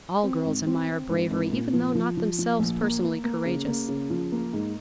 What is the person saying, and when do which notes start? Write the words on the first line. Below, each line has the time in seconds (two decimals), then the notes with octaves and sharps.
All girls admire bravery, even though not themselves personally courageous.
0.23 C4
0.45 G#1
0.67 C4
0.88 C4
1.09 G#1
1.30 G#1
1.52 A#2
1.73 F3
1.95 F3
2.17 F3
2.39 F3
2.59 A#1
2.81 A#3
3.03 A#3
3.24 A#3
3.45 C#3
3.67 A#3
3.88 C#3
4.10 F3
4.32 A#3
4.53 G#2